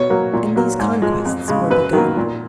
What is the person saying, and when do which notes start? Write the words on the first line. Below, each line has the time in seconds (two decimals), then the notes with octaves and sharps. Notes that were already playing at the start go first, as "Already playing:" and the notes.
And these conquests were begun.
Already playing: B2 C#5
0.10 F#3 A#3
0.33 A#2
0.56 F#3 A#3
0.79 G#2
1.02 F3 G#3
1.25 F2
1.48 C#3 G#3
1.70 F#2 B4
1.93 D#3 F#3 A#3
2.17 A#2